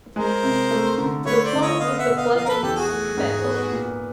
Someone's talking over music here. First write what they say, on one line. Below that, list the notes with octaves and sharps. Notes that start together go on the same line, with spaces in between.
The song is a pleasant babbling.
G#3 A#4 C5
C3
A3
D3
A3 B4 C#5
C5 D5
D3
C#5 D#5
B3 D#5 F5
E5 F#5
B2
D#5 F5
F3 D#5 F5
A#4
A4 B4
E2 G4 A4
F#4 G#4
A3
G#2
B3
A#2